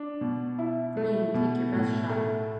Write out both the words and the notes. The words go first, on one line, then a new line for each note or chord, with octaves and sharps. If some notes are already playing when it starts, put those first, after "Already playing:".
Green, take your best shot.
Already playing: D4
B2
E4
A3
B2
A2
A3